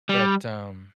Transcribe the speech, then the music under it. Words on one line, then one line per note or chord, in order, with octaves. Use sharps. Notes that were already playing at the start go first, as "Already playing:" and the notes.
but, um
G3